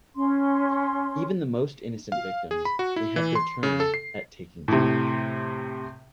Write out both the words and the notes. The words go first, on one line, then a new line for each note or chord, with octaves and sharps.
Even the most innocent victims may have their turn at taking charge.
C#4 C6
F5
G#4
B5
F#4
E4
E3
C6
C#3
A4
C7
A2 C3